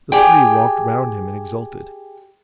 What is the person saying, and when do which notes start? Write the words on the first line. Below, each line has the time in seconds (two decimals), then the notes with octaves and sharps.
The three walked round him and exulted.
0.12 G4 G#4 G5